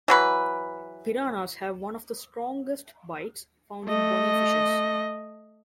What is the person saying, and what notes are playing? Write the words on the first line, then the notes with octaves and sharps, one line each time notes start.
Piranhas have one of the strongest bites found in bony fishes.
E3 F#3 B4
A3 D#5